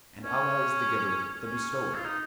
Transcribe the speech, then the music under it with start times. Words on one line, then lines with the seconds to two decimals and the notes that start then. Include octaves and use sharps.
And Allah is the Giver, the Bestower!
0.22 C#4
1.44 C#4
1.96 F4
2.04 D#4